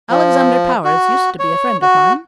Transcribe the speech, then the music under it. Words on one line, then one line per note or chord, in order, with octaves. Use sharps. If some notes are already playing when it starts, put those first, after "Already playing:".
Alexander Powers used to be a friend of mine.
F3
F#4
C#5
F#4